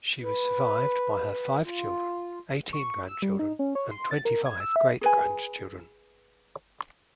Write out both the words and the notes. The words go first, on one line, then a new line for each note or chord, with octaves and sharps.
She was survived by her five children, eighteen grandchildren and twenty-five great-grandchildren.
B4
F4
C#6
E6
G3
D#4
C#4
C#5
C6
A6
A#4
G#6
E6
E5
G#4 B4 G#5